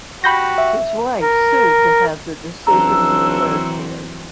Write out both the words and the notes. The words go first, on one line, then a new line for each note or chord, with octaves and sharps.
His wife sued to have the decision declared void.
F#4 G4 B5 G6 A#6
E5
A#4
C#2 E3 F#3 C4 D4 A#5 E6